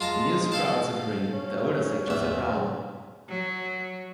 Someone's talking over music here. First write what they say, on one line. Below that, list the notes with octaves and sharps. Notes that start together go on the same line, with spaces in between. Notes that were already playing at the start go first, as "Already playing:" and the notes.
The new sprouts are green, the older sections are brown.
G#3 F4 A5 A#5
A4 F5 A5
C#4
E2 E5
F#3